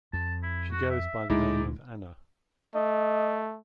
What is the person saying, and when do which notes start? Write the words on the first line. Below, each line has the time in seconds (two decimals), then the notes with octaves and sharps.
She goes by the name of Anna.
0.13 F2 A5
0.43 E4
0.72 F#4
0.90 E5
1.30 D2 A#2 G#3 D#4 E4 D5
2.75 A3 D#5